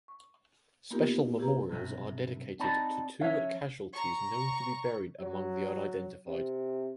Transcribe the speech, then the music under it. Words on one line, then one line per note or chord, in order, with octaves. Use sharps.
Special memorials are dedicated to two casualties known to be buried among the unidentified.
C#6
A#3 B3 D#4 F4 G4 A#4
E4 G4 G#4 B4 A#5
B1 G2 C3
C4 D#4 D5 A5 B5
F3 C#4 C#5 E5
A#5 C#6
F#3
C3